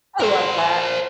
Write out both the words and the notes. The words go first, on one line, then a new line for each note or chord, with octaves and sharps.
I love that.
A#4 C5